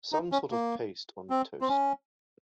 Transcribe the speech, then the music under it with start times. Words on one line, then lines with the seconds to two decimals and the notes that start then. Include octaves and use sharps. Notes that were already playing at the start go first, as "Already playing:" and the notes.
Some sort of paste on toast.
0.12 D#4
0.32 C#4
0.51 A#3
1.30 C4
1.61 C4
1.69 C#4